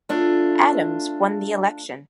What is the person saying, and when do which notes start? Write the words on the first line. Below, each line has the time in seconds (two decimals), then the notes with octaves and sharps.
Adams won the election.
0.09 A3 D4 F4